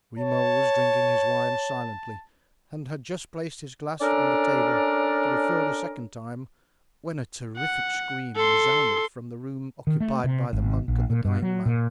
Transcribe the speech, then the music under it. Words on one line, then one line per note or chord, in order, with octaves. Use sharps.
Grimaud was drinking his wine silently and had just placed his glass on the table to be filled a second time, when a terrific scream resounded from the room occupied by the monk and the dying man.
C#5 A5
C#4 D4 A4 A#4 D5
F#5
A4 C6
D#3
A3
C3
G#1
A#1
A#2
G2
F#3
A#2